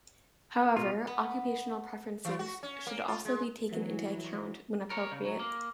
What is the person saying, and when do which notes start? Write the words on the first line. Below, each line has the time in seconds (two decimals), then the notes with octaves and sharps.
However, occupational preferences should also be taken into account when appropriate.
0.77 B2 F4
1.07 B3
2.25 E3
2.39 F#4
2.63 C#4
2.87 A#3
3.08 F4
3.25 G#3
3.72 E3 F#3
4.90 A#4 C#5
5.12 C#3
5.25 F#3
5.39 A#3